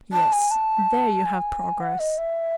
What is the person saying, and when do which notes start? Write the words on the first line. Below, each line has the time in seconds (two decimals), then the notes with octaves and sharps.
Yes, there you have progress.
0.13 A5
0.32 G#5
0.51 A5
1.25 G#5
1.80 F#5
1.99 D#5
2.18 E5